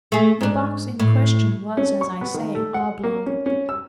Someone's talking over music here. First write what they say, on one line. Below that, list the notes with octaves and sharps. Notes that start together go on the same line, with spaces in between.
The box in question was, as I say, oblong.
A3 G#4
G#2 D4
A2
C#4
C#6
B3
D#3
A3
F#5
A#3
C#4
C#4
E6